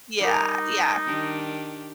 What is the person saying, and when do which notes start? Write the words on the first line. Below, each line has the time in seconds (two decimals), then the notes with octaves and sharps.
Yeah, yeah.
0.21 G3 D#4 A#4
1.06 D#3 D4 G4